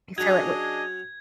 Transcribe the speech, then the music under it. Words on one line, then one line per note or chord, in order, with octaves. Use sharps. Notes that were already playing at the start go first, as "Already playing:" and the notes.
you fill it with
F#3 C#4 D4 G#4 D#5 G#6